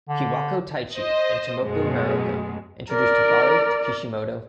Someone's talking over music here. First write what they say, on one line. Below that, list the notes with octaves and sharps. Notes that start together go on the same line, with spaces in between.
Kiwako Taichi and Tomoko Naraoka introduced Hibari to Kishimoto.
D3
C5 D#5
F#2 B2 G#3 A3
A#4 D5